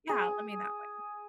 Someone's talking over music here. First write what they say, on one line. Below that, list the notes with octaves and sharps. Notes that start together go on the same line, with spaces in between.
yeah, I mean that way.
G#4